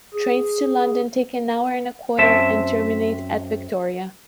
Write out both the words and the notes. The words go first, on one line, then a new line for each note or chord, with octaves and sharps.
Trains to London take an hour and a quarter and terminate at Victoria.
G#4
F#2 C4 E5 A5